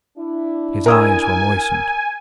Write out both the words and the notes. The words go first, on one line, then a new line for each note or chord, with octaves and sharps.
His eyes were moistened.
D4 E4
A#4 G#5 D#6 E6